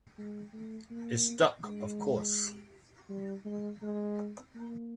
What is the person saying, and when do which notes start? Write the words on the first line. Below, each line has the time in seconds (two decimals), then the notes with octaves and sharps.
It stuck, of course.
0.18 G#3
0.53 A3
0.91 A#3
1.63 G#3
3.09 G3
3.45 G#3
3.82 G#3
4.55 A#3